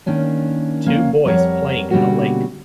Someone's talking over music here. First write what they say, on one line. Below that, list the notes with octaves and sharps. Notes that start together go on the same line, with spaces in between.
Two boys playing in a lake.
D#3 A#3 C#4 D4
F2 A#3 C#4 F5
F2 G3 A#4 C#5 F#5
B2 D3 G3 A#3 C#4 F#4